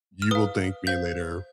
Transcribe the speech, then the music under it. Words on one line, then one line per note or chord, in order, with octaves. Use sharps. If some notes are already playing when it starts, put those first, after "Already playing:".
You will thank me later,
F6
B4 F5 D#6
C5 F5 G6